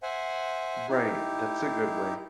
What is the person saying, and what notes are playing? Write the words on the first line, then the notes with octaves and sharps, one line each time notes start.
Right, that's a good way.
C5 E5 F#5 G#5
D#4 E4 G4